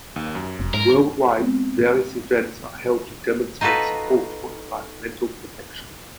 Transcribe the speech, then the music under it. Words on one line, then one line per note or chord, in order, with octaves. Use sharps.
Worldwide, various events are held to demonstrate support for environmental protection.
D#2
F#2
F1
G#2 A#4
G#3 B3 C4
D#4 F4 F#4 A4 B4